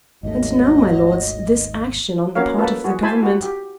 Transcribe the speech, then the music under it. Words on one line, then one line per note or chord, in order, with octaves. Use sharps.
And now, my lords, this action on the part of the Government....
G#1 D#2 F#3 A3 D#5
A#3 C#4 F#4 A#4 C#5 F5
A#3 F4 A4 B4
F#4 G#4
E4 C5 G#5 A5 B5
F#4
G4